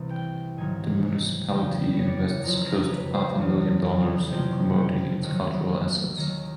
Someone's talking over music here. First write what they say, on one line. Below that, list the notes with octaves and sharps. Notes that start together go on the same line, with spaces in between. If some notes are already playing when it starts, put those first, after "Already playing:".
The municipality invests close to half a million dollars in promoting its cultural assets.
Already playing: C2 C3 E3
G5
G#2 D#3 F#3 G#5
E2 C#3 F#3 G5
C#5
D5
C#5
F2 C#3 F#3 A#4
A#4
B4
C5
E2 C#3 F#3
F2 C3 D#3 F#3 G5
F#5
G5
D#2 D#3 F#3 F#5
D#2 D#3 F#3